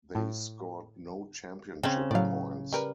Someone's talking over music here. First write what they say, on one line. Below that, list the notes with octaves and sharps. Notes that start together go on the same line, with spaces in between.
They scored no championship points.
A2
C#3 C4 G5
A2 F#3 D5 F5
G3 A#4 B4